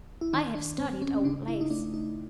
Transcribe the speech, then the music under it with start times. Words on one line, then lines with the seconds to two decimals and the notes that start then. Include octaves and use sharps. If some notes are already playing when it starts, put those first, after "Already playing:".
I have studied old lace.
0.21 E4
0.33 D#3 D#4
0.55 D4
0.78 G#2 C4
1.02 C#4
1.24 C#3 D4
1.48 E4
1.61 D#4
1.70 A3 D4
1.94 D#4